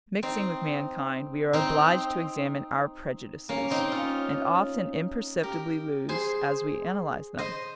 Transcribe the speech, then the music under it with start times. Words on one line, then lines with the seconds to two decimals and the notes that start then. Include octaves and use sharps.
Mixing with mankind, we are obliged to examine our prejudices, and often imperceptibly lose, as we analyse them.
0.23 C4 D#4
1.53 C4 D#4
3.49 A#3 C#4
3.70 C4 D#4
3.92 C#4 F4
5.43 G4 A#4
6.09 G#4 C5
7.38 C5 D#5